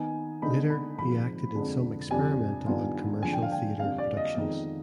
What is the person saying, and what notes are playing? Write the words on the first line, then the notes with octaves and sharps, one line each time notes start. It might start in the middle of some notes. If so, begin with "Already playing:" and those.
Later he acted in some experimental and commercial theatre productions.
Already playing: D#3 B3 D#4 G#5
D3 G#3 B3 D#4 B5
B5
G#2 F3 C4 B5
F2 D3 G#3
F2 C3 G3 D4 G#5
G2 D#3 B3 F4
D3 F3 G#3 D4 F4 G#5
G5
F5
G5
F2 D3 G3 F5
D5
D#5
F2 D#3 G#3 B3 D#5